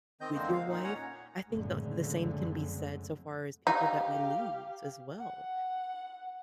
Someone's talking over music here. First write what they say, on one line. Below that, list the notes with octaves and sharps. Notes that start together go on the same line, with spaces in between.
with your wife. I think the the same can be said so far as people that we lose as well.
D#3 C4 D#5 G6
E2 D3 G#3 A#3 C4 C5
F5
A#2 D#4
C#4 C#5 F#5 A#5
F#1 F2 A2 D3 F#3 G#3
D#4 G4 F5
F#5